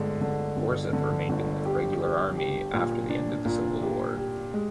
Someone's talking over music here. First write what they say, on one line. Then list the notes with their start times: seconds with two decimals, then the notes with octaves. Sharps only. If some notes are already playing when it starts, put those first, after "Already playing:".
Forsyth remained in the Regular Army after the end of the Civil War.
Already playing: G1 D3 G#3
0.21 D3
0.57 G1
0.93 D3
1.29 G1
1.65 G4
2.01 G4
2.37 G4
2.74 A#2
3.10 D4
3.45 A#2
3.81 G4
4.18 G4
4.54 G#3